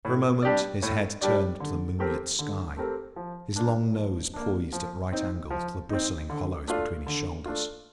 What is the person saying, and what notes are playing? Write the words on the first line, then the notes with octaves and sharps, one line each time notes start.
For a moment his head turned to the moonlit sky, his long nose poised at right angles to the bristling hollows between his shoulders.
A2
G3 D4 G4 D5
A2
G3 D4 G4 D5
D3
A3 C4 G4 A#4
D3
A3 C4 G4 A#4
F3
A#3 D4
F3
A#3 D4
F3
C4 D#4
F3
C4 D#4
D3
A3 D4 F4
D3
A3 D4 F4